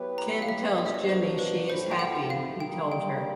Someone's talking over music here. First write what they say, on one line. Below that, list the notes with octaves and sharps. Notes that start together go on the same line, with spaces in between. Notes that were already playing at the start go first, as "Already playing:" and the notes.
Kim tells Jimmy she is happy he told her.
Already playing: F#3 B3 E4 G4 B4
A#5
F5
E5
B2 F#3 A#3 D4 F#4 D#5
E5
D#5
C5
B4
G#2 F3 A3 C4 E4 C5
G5
F#5
F5
G3 A#3 D#4 G5
G5